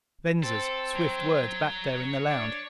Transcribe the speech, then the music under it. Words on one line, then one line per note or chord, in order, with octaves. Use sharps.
Venza's swift words back there in the lounge.
C4 A4
C#5 A#5
D4